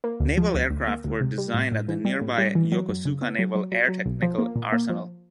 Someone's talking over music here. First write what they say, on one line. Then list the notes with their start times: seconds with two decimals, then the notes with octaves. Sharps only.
Naval aircraft were designed at the nearby Yokosuka Naval Air Technical Arsenal.
0.04 A#3
0.20 D2
0.38 F3
0.55 D2
0.70 D2
0.88 A#3
1.04 D2
1.21 C3
1.38 G3
1.54 A2
1.72 A2
1.88 E3
2.05 G3
2.21 A2
2.38 G3
2.55 E3
2.72 F#3
2.89 F#2
3.05 C#3
3.22 B3
3.39 F#3
3.55 F#3
3.72 F#3
3.88 F#3
4.05 B1
4.22 F3
4.38 A#3
4.56 A#2
4.72 A#3
4.90 F3